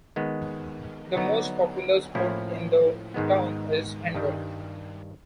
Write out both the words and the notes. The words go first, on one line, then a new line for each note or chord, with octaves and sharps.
The most popular sport in the town is handball.
D#3 G#3 B3
D3 F#3 B3 D#4 F#4
A2 F3 A#3 C#4 E4
G#2 D#3 G#3 B3
G2 D#3 G3